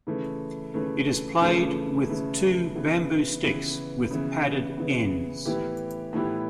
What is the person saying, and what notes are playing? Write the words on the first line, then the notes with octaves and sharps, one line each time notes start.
It is played with two bamboo sticks with padded ends.
C#3 E3 A3
C#3 E3 A3
C#3 E3 A3
C#3 E3 A3
C#3 E3 B3
C#3 E3 B3
C#3 E3 B3
C#3 E3 B3
A2 E3 B3 E4 G4
A2 E3 B3 E4 G4